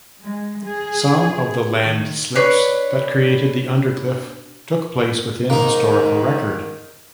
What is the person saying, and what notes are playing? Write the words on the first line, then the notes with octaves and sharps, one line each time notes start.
Some of the landslips that created the Undercliff took place within historical record.
G#3
G#4
D#3
D4 B4 C#5
G#2 D#3 A#3 D#4